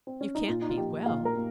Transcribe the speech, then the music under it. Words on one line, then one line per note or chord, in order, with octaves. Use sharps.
'You can't be well.
C4
C#4
D#4
A#2 F4
D#4
F4
F3 A#3 G4
A#2 F5
A#4
A#3